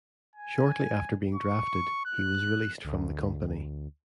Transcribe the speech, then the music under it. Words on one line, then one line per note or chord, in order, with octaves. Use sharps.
Shortly after being drafted, he was released from the company.
G#5
C#6
F#6
D2